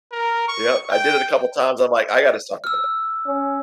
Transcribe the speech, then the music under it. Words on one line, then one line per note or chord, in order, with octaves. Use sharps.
Yep. I did it a couple times. I'm like, "I gotta stop with it."
A#4
C#6
G5
E6 F6
C#4